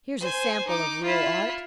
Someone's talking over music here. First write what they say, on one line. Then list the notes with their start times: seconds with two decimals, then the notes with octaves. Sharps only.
'Here's a sample of real Art.
0.20 C5 G#5
0.67 D#4 D6
1.04 E4 F4